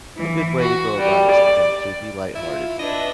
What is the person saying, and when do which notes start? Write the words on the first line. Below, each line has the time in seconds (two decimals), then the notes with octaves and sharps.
a good way to go about it sometimes, to be lighthearted.
0.18 E3
0.59 F#4
0.96 G3
1.31 D5
2.35 E4 F4
2.79 D4 B4 D#5 E5